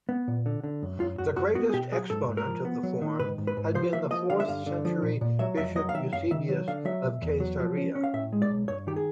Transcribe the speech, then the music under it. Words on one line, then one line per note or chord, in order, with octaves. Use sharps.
The greatest exponent of the form had been the fourth-century bishop Eusebius of Caesarea.
B3
A#2
D3
D3
F#2
F#2 F4
F#2 F#4
F#2 F#4
B3 F#4
G#4
B2 G4
F#3 G#4
G#2 A4
G#2
A#4
F3
B3
F#3
D#3
G#2 B4
G#2
B4
G#2
F3 C5
A#3 E5
F3 D#5
D3 F5
E5
G2 F5
D3
F3
A#2
A#2
F#3 E5
F2 E5
F#3 D#5
F5
D#3 E5
F#2 F5
D#3 E5
F#3
D3 F5
F#3 E5
B2
E2
F#3
F3
C#4
C#4
F5
A2 E5
G#3
D5
B1
G2 C#5
D#3 G4
G#4